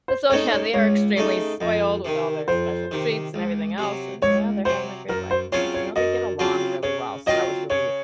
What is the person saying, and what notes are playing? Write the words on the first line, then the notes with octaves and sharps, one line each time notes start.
so, yeah, they are extremely spoiled with all their special treats and everything else, and yeah, they're having a great life, and you know, they get along really well, so that was really,
C5
C#3 A3 D#4 C#5
C#5
C#2 C#5
C#3 A3 D#4
F2 D#5
C3 D#3
F2 C5
C3 D#3
C#2
C3 F#3
C#2 C#5
C3 F#3 C5
F#2 A#4
C5
C#3 F#3 C4 F4 C#5
C#5
F#2 D#5
C#3 F#3 C4 F4
C#3 C#5
F#3 C4 F4 D#5
C#3 C#5